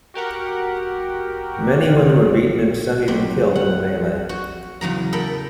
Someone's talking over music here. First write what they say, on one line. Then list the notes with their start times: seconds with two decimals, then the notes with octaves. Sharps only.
Many women were beaten and some even killed in the melee.
0.14 F#4 G4 A#4 F#5
3.08 F#3 C4 G4
3.55 F#5
4.29 F#4
4.81 E2 C#3 F#3 A#5
5.13 A4 A#4 G5 B5